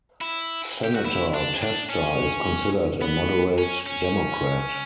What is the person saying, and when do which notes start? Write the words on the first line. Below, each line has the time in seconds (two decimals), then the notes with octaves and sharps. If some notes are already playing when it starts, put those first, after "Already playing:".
Senator Tester is considered a moderate Democrat.
0.21 E4
0.84 G4
0.95 F#4
1.05 E4
1.34 D4
1.62 D4
1.89 C#4
3.02 B3
3.58 C#4
3.86 C#4